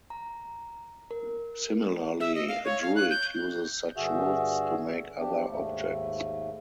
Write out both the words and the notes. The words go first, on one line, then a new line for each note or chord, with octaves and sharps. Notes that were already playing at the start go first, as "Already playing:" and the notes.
Similarly, a druid uses such woods to make other objects.
A#5
A#4
E5
D#5
F5
C#5
F5
F#6
G6
G2 D3 F#4 G#4 E5
F3 D4 G4
D#2 G#2 A3